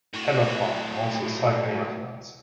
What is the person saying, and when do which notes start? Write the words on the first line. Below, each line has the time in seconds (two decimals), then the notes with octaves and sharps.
"Peloton" - also a cycling reference.
0.13 A2 F#4